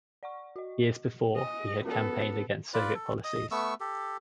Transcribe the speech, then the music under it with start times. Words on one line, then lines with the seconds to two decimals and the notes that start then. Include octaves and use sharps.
Years before, he had campaigned against Soviet policies.
0.23 D5 F#5 C#6
0.56 F#4 D#5
1.36 D#5 G#5
1.85 B3 C#4 F#4 A4 A#4
2.74 F4 B4 D5
2.94 A4
3.24 D#5 D#6
3.51 A3 B3 C#6 E6
3.80 G4 A4